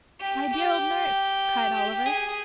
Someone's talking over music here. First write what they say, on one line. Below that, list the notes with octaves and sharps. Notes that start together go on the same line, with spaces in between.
'My dear old nurse!' cried Oliver.
G4
G4
G4
G#4